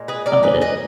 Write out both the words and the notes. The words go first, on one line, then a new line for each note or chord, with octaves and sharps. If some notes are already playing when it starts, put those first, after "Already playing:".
of it.
Already playing: A#2 G#3
G#4 B4
A#4 D5
G#4 B4
B4 D#5